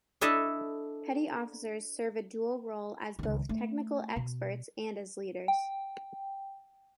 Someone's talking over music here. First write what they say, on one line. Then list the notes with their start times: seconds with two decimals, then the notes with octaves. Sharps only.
Petty officers serve a dual role as both technical experts and as leaders.
0.21 D4 E4 A4 D#5 E5 A5
3.19 C#2 D#3
3.49 A3
4.16 B2
5.48 G5